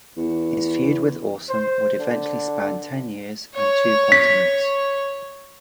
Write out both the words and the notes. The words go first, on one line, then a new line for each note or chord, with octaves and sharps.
His feud with Awesome would eventually span ten years and two continents.
E2
C5
D3
C#5
B6